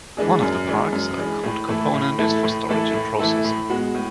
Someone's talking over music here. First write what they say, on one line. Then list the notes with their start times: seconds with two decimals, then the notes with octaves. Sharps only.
One of the parts, a code component, is for storage and processing.
0.17 E3 G#3 D4 G#4
0.43 F#2
0.67 E3 G#3 D4 G#4
0.93 F#2
1.18 E3 G#3 D4 G#4
1.43 A2
1.68 E3 A3 E4 A4
1.94 A2
2.18 E3 A3 E4 A4
2.44 A2
2.69 E3 A3 E4 A4
2.94 A2
3.19 E3 A3 E4 A4
3.44 A2
3.70 G#3 B3 F#4
3.94 A2